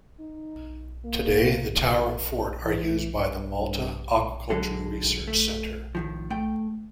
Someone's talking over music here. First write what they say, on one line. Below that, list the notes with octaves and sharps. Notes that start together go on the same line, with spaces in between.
Today, the tower and fort are used by the Malta Aquaculture Research Centre.
D#4
A#3
D#2
E3
G2
B1 D3 F#3 G#3 A4
A3
A2 D#3 F3
A3 G5